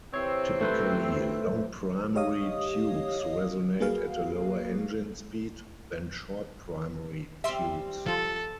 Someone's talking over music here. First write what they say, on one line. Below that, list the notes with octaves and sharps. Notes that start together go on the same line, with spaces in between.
Typically, long primary tubes resonate at a lower engine speed than short primary tubes.
C3 E3 C4 C#5
A3 B4 C5
G4 C#5 D#5 F5 D#6
A#3 F#4 G#4 B4 F5
G3 C4 E5 C6
F3 F4 A4